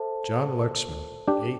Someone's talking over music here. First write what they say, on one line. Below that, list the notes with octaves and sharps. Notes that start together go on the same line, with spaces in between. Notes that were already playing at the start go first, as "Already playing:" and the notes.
John Lexman--A.
Already playing: A4 C5 E5 A5
D4 G4